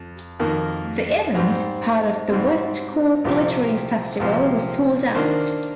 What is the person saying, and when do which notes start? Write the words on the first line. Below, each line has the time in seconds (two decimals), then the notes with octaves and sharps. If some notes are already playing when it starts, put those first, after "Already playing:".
The event, part of the West Cork Literary Festival, was sold out.
Already playing: F2
0.40 F2 D#3 A#3
1.35 G#2 G3 C4
2.29 G#2 G3 C4
3.25 C2 A#2 F3 C4 G4
4.20 C2 A#2 F3 C4 G4
5.15 D#3 A#3 D4 F4 C5